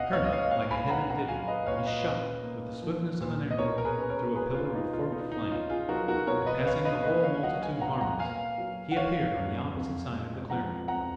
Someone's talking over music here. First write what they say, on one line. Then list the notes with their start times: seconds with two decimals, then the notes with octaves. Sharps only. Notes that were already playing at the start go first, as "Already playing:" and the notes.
Turning like a headed deer, he shot, with the swiftness of an arrow, through a pillar of forked flame, and passing the whole multitude harmless, he appeared on the opposite side of the clearing.
Already playing: C#2 B2 D#5 F5 F#5
0.13 C#2 C#5 F5
0.24 D#5
0.32 C#5 F5
0.51 A#2 C#5 F5
0.70 G#5 B5
0.89 C#4 F#5 A#5
1.10 F#5 A#5
1.28 F#3 F5 G#5
1.48 B4 D#5
1.66 A#2 C#5 F5
1.86 B4 D#5
2.05 C#4
2.43 A#3
2.82 F3
3.20 A#2
3.51 D#5
3.58 B2 A#4 C#5
3.78 A#4
3.85 G#4 B4
3.98 C#4
4.10 A#4 C#5
4.35 A#3 G#4 B4
4.54 F4
4.74 B2 D#4
4.93 F4
5.12 B2 D#4
5.32 D#4
5.51 C#4 F4
5.70 F4 G#4
5.89 F#3 F#4 A#4
6.08 F#4 A#4
6.27 B2 A#4 C#5
6.46 B4 D#5
6.66 C#4 C#5 F5
6.85 B4 D#5
7.04 A#3 B4 D#5
7.24 C#5 F5
7.43 F#3 D#5 F#5
7.62 F5 G#5
7.81 A#2 F#5 A#5
8.01 F#5 A#5
8.19 A#3 F5 G#5
8.58 F#3
8.91 F#5
8.96 D#3 C#5 F5
9.35 F#2
9.73 F2
10.12 G#3
10.50 F3 F#5 A#5
10.88 F2 F#5 A#5